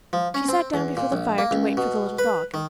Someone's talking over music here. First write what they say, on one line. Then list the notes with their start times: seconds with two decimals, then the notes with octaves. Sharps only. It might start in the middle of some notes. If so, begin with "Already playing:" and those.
She sat down before the fire to wait for the little dog.
0.13 F3
0.34 C#4
0.49 C4
0.74 E2
0.97 A#2
1.12 A#1
1.38 A#3
1.51 C#2
1.77 B2
2.19 B4
2.54 D#3